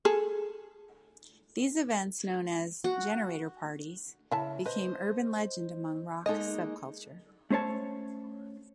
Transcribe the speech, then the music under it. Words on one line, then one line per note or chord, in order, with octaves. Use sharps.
These events, known as "generator parties", became urban legend among rock subculture.
G#4 A4
F#4
C#3 E4 E5 A5
B4 C5 D#5
G#3 A#3 D#4 A4 D#5
A3 C#4 C5 C#5 A5